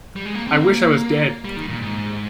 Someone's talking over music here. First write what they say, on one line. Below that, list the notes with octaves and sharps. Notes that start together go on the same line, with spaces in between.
I wish I was dead!
G3
G#3
A#3
C4
A#3
G3
D#3
A#2
G#2